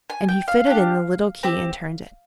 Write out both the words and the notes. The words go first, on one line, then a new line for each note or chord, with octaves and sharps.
And he fitted in the little key and turned it.
G#5
G5
F5
D4 G4
C4 G4